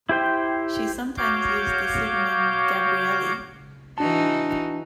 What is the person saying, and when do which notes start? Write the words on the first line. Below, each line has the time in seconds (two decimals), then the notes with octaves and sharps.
She sometimes used the pseudonym Gabrielli.
0.09 E4 G4 C5 G5
1.18 F#4 C#5 F5 D6 G6
3.98 E3 D4 D#4 F#4 A5